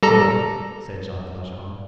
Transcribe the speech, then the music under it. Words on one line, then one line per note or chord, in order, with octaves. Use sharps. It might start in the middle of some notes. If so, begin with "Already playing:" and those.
"Good," said Jean Valjean.
G3 A4 A#5